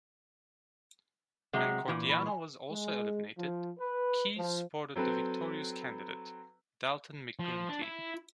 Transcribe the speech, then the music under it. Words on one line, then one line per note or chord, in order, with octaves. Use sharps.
When Cordiano was also eliminated, Keyes supported the victorious candidate, Dalton McGuinty.
C3 F#3 G#3 F#5 G5 A#5
A#2 E3
B5 C#6
G#5
G#3
F3
B4
F3
F#3 C4 A4 B4 G5
F3
D4
E4